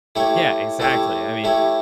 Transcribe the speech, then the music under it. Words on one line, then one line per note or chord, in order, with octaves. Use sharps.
Yeah, exactly, I mean,
A3 E4 G4 C#5
A3 E4 G4 C#5
A3 E4 G4 C#5